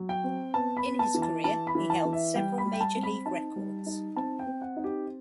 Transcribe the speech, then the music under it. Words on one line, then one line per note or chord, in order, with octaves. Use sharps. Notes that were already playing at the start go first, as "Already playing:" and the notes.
In his career, he held several major league records.
Already playing: F#3
G5
C4
B3 A5
B5
B3
A5
E3
A5
E3 A5
B5
E3
A5
E3
E5
G3 G5
B5
G3
G5
A5
C4
B5
D#4 A5
G3
D#4
C4 A5
G5
C4
F#5
D#4
G4